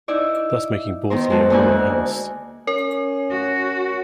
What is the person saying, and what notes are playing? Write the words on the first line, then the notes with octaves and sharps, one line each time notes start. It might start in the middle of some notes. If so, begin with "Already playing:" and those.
Thus making Bordesley a royal house.
D#4 E4 D5 E5
D#3 B3 A#4 C5
G#3 F#4 G#4 A4
D2 A#3 D#4 D5 G#5 F#6
C#4 A#4
F#4